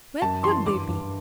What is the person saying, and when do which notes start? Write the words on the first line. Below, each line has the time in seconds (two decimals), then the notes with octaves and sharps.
Where could they be?
0.22 F#2 A5
0.43 E3 C6
0.65 G2 D6
0.89 G2